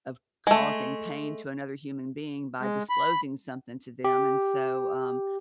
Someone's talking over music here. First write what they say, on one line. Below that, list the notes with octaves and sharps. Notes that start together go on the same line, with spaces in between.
of causing pain to another human being by disclosing something to them and so, um,
G#3 A3
G#3
B5
G4